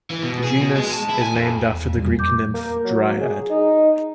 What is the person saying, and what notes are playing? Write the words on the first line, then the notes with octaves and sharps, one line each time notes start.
The genus is named after the Greek nymph Dryad.
E3
B2
G#4
B2
G#3
A5
E4
G#5
F2
E2
F2 A#2 G3
D6 G6
A#3
F#3
G#4
D#4